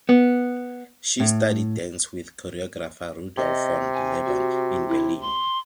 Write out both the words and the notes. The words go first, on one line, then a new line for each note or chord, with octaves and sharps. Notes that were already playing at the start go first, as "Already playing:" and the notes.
She studied dance with choreographer Rudolf von Laban in Berlin.
B3
A2
C3 D#5
G#5
F#4
E4
C6